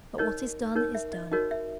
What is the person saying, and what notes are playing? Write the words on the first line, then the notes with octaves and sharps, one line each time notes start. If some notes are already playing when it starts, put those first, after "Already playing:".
But what is done is done!
D#4 A#4 C#5 D#5
D#4 A#4 C#5
E5
D#5
D#4 F#4 A#4 C#5 D#5
E5